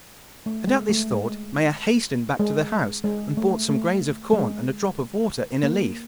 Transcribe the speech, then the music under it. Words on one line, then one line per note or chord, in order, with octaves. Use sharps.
And at this thought Maia hastened back to the house, and brought some grains of corn, and a drop of water in a leaf.
A3
G#3
A3
G#3
G#3
G#3
A3
A3
G#3
A#3